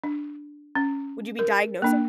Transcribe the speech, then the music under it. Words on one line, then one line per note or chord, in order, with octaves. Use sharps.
Would you be diagnosing?
D4
C#4
A#4
A#3 D4